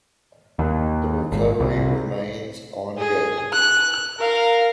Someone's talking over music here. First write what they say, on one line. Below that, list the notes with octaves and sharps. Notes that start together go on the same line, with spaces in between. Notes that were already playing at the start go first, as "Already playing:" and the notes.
The recovery remains ongoing.
D#2
G#1
C2
G#4
F#6
A#4 F5